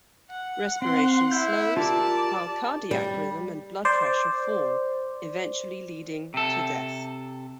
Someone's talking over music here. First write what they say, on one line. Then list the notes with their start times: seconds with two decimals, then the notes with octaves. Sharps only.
Respiration slows, while cardiac rhythm and blood pressure fall, eventually leading to death.
0.30 F#5
0.82 C4 C6
1.31 E4 G6
1.77 F4 G4 A#4 D5 A5
2.91 G3
3.85 C5 D5
6.34 C3 A4